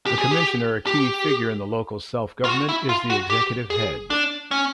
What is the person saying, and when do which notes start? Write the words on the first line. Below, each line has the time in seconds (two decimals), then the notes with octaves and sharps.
The Commissioner, a key figure in the local self-government, is the executive head.
0.06 G4
0.18 G#4
0.31 G4
0.87 G4
2.45 F4
2.49 F#4
2.69 E4
2.89 F4
3.10 F#4
3.30 G4
3.70 G#4
4.10 D4
4.51 C#4